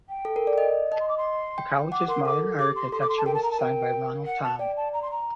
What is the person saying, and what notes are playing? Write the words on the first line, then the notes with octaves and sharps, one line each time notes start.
The college's modern architecture was designed by Ronald Thom.
G5
A4
A#4
D5
D#5
D#5 A5
C6
D6
C6
G5
F#5 D6
A#4 C6
A4 D6
G4 D6
C6
A4 C6
D6
C6
A5
A#4 G5
A5
A#5
A5
A#4 G5
F#5
A5
D5 G5
A5
A#5
C6
A#5